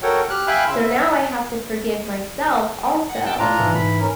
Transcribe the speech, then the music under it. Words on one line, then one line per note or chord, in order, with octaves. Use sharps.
So now I have to forgive myself also,
F#4 A4 A#4 C#5 F#5 G5
G4 F6 F#6
E5 F5 G5 G#5 B5 F#6
C#3 E4 F5 C6 E6
E5
F#5
G5 A5
A2 D4 F4 A#5
G#2 E3
G#2 B5
C#4 A#4